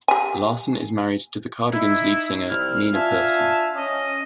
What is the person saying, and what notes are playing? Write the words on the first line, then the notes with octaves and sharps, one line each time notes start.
Larson is married to The Cardigans lead singer, Nina Persson.
G4 G#5
D#4 E4
C2 E4 F6
D4 F4 E5 F5 G#5 A5
C#4 D#5